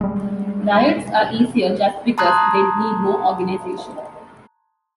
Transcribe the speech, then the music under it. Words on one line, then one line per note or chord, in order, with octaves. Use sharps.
Riots are easier just because they need no organization.
G3 G#3
A5 A#5 C6 D#6 F#6 G#6